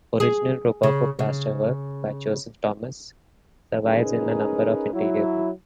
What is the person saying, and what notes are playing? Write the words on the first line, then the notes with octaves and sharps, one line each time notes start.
Original rococo plasterwork, by Joseph Thomas, survives in a number of interior rooms.
G#4
C#3
C#3
C#4 D#4 G#4 A#4 B4
F#3 E4